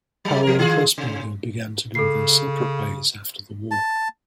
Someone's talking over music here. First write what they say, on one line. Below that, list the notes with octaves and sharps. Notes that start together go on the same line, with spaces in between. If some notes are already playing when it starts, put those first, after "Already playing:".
Powell and Pressburger began to go their separate ways after the war.
F#3 G#3
F3 A#4
D#3 F4 G#4
C3
C#3 A4 C7
A5